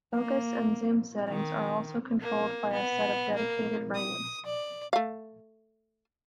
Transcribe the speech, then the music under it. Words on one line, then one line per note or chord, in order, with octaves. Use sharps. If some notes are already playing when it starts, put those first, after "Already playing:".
Focus and Zoom settings are also controlled by a set of dedicated rings.
A#3
D#3
A#3
B3
A#3
D#6
D5
A3 F5